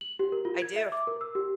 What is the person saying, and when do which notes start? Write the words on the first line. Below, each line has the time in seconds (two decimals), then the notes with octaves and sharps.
I do.
0.01 F#7
0.19 G4
0.32 A#4
0.45 F4
0.62 G#6
0.76 E5
0.92 D6
1.07 A#4
1.21 E6
1.35 G4